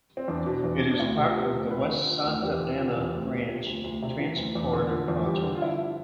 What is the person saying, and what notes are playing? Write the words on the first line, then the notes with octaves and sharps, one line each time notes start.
It is part of the West Santa Ana Branch Transit Corridor project.
C4
E2 D4
B2
E2
B2
D4
D2 E4
C3
F4
F3 G4
D2
D2 B4
D3
F3
D2
E2 G4
D3
F3
E2
D2
C3
F3
D2
D2
C3
E3
D2
E2
D3
F3
E2
G2 G4
D3
F4
F3 E4